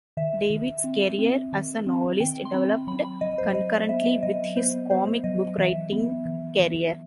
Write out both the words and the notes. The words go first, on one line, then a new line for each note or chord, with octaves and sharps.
David's career as a novelist developed concurrently with his comic book writing career.
D#3 E5
D#3
C4
C4
D#3
C4
D#3 G5
C6
C4 B5
F#3 B5
B5
F#3 D#5
C5
F#3 D#5
B3 E5
F#3 D#5
B3 C5
B3 C5
F#3 D#5
E3 E5
B3
E3
E3